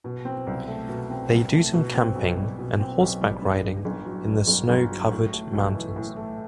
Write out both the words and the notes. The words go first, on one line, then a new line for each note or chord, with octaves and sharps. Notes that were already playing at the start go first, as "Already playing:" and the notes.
They do some camping and horseback riding in the snow covered mountains.
B2
C4
C2
A3
B2
C4
C2
A3
B2
C4
B1
G3
B2
C4
B1
G3
G2
G1
G1
F#3
G2
G1
G1
F#3
A2
A3
B1
E3
A2
A3